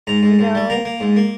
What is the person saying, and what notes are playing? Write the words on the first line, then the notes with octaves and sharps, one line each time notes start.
you know?
G#2 A#5
G#2
G#2
G3
A#3 A#5
A#3
G#2
A#3